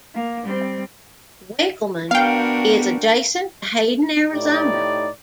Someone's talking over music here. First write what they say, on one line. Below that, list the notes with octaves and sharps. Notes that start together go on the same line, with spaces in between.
Winkelman is adjacent to Hayden, Arizona.
A#3
G3 C4
B3 D4 F#4 A#4 F5 G5
A2 D#4 G4 D5